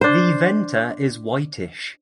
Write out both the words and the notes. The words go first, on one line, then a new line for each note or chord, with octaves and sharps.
The venter is whitish.
D4 C5